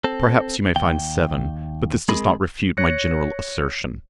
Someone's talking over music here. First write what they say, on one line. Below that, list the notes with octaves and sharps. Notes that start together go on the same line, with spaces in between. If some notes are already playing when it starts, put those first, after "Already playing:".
Perhaps you may find seven, but this does not refute my general assertion.
C4 A4
D#2 G5
G#3 C4 G#4 A#4 B5
C#5 F#6 A#6 C#7